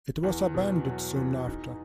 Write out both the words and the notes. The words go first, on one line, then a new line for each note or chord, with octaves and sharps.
It was abandoned soon after.
E2
B2
F#3
E2
D#4